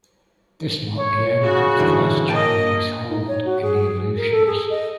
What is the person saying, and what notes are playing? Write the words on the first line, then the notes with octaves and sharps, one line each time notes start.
This marked the end of the last Japanese hold in the Aleutians.
C#5
C#3 F#4
G2 D3 E3
A#3 D#5 G5 A5
D#4
C#5
F#4
G#4
A#4
A4
G#4
D#5